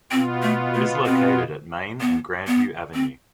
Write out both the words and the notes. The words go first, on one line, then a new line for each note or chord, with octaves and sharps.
It is located at Main and Grandview Avenue.
B2 B3 C4 F4
A3
A3
C4
B3
B3
C4